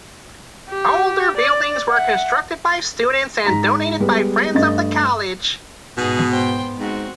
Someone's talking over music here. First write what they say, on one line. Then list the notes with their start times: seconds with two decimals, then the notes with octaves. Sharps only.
Older buildings were constructed by students and donated by friends of the College.
0.69 G4
1.37 D5
1.90 E5 F#5
3.45 G#2 A#5 B6
4.00 G3 G#3 B3
4.54 G2 A3 D#5 A6
5.97 G#2 B2 B3 D#4 G#4
6.30 C5 G5
6.79 G#2 C4 F#4